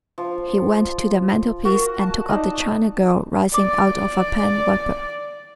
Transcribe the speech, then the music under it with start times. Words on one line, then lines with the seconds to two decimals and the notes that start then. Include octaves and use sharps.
He went to the mantel-piece and took up the China-girl-rising-out-of-a-pen-wiper.
0.18 F3
1.65 F#4 A#4
2.00 A5
2.29 D#4 D5 D#5
3.54 D5 D6